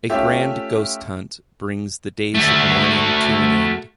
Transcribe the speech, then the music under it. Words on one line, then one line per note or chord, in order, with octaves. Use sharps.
A grand ghost-hunt brings the days of mourning to an end.
A3 C#4 F4 G4 E5 G5
A3 F#4